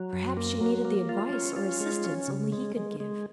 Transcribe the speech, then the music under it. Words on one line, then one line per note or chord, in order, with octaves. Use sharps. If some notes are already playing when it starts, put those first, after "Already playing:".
Perhaps she needed the advice or assistance only he could give.
Already playing: F#3
F#2
A#3
F#3
A#3
F4
C#4
F4
G#3
C#4
C#3
G#3
G#3
G#3